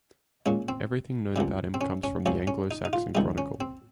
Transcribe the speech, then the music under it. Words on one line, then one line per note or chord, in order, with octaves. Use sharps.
Everything known about him comes from the "Anglo-Saxon Chronicle".
A#2 G#3 C#4
C4
C#2 C3 G3
C4
C#4
C#4
C#2 C3 F3 C#4
C#4
D#4
D#4
F4
C#2 C3 D#3 G3 D#4
C#4
C4